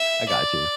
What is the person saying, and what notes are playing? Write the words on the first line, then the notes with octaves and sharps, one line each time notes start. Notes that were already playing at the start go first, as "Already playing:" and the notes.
I gotchu."
Already playing: E5
D5